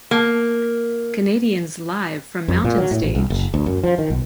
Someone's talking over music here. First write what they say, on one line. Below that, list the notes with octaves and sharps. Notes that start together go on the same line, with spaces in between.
Canadians Live from Mountain Stage.
A#3
F2
A#2
F#3
A2
A1
C2
F#1
D2
F#2
F3
D#3
B1